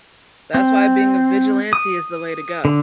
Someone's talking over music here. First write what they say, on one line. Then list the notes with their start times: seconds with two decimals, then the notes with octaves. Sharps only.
That's why being a vigilante is the way to go.
0.54 C4
1.73 D#6
2.65 D3